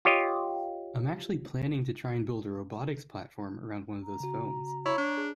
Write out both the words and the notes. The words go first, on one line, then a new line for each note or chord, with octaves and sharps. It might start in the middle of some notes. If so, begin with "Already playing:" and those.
I'm actually planning to try and build a robotics platform around one of those phones.
F4 G4 C#5 D#5
A#5
C#3 F#4
E4 C#5
D4
G#4